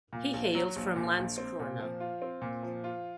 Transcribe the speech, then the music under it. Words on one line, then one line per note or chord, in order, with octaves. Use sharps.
He hails from Landskrona.
A#2
A#1
F#3
A#1
A#2
A#1
C4
A#2
F3
F4
C4
A#2
F3
F4